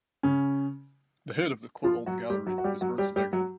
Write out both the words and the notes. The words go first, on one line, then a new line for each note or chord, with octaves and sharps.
The Head of the Courtauld Gallery is Ernst Vegelin.
C#3 C#4
F3 F4
F#3 F#4
G3 G4
F#3 F#4
F#4
G3 G4
F#3 F#4
G3 G4
G3 G4
F#3 F#4